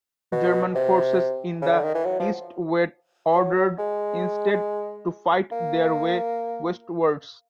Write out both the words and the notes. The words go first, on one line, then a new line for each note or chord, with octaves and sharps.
German forces in the east were ordered instead to fight their way westwards.
B2
C3
C#3
D3
D#3
E3
F#3
F3
F#3
G#3
A#3